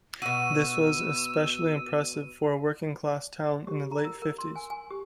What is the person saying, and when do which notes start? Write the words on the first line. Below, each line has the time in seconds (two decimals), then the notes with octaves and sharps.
This was especially impressive for a working class town in the late fifties.
0.22 B2 F#4 E6 D#7
3.67 G4
3.92 A#5
4.05 A#4
4.22 A#4
4.38 C6
4.56 G#5
4.70 G#5
4.91 G4